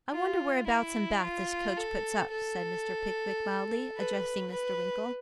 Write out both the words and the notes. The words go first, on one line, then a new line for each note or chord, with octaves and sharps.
'I wonder whereabouts in Bath this coach puts up,' said Mr. Pickwick, mildly addressing Mr. Winkle.
F4
E4
F4
A4
A4
B4
B4